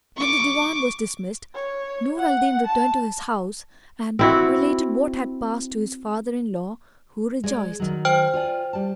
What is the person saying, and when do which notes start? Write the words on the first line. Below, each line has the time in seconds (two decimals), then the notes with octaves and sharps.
When the Divan was dismissed Nur al-Din returned to his house and related what had passed to his father- in-law who rejoiced.
0.17 C#6 D6
1.55 C#5
2.17 F#5
2.66 A5
4.19 C4 E4 F#4
7.44 G#3 D5
7.80 D#3 F#3
8.05 C5 G5 F6
8.34 F4 D5 G#5
8.73 G3 A5